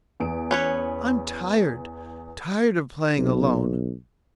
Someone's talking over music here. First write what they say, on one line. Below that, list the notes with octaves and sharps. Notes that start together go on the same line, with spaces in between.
I'm tired--tired of playing alone.
E2 D7
C#4 B4 C#5
B1